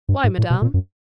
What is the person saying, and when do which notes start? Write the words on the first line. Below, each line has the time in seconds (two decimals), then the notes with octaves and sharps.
"Why, madame?"
0.09 G2
0.24 G#2
0.38 A2
0.50 B2
0.62 A#2
0.74 F#2